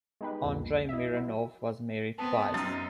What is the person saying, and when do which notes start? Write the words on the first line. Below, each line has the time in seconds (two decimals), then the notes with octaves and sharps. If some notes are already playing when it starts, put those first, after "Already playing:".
Andrei Mironov was married twice.
0.21 G#3 B3 D#4 G4 B4
0.42 C2 F2 A#2
0.89 E4 D#5 E5
1.13 F#3 E4
2.18 B3 C4 A5
2.54 F#2 D#4 A6